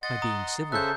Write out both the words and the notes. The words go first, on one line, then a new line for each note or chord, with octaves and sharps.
By being civil.
D#5 F#5 C6 A6
A#5 D#6
C#3 A4 C5 E5 F#6 G6